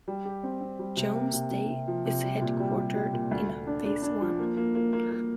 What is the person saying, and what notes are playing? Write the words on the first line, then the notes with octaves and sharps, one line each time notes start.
Jones Day is headquartered in Phase I.
G3
G4
C4
C4
G3
C3
A#3
C3
C3
C3
F3
C3
G3
A#2
G3
G3
G3
A#2
D2
D2
D4
D4
D4
F3
A#3
A#3
A#3
A#3
A#3